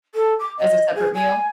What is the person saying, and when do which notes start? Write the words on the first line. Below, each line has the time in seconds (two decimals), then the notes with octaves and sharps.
As a separate meal?
0.14 A4
0.39 D6
0.58 D#5
0.95 G#4
1.14 G#5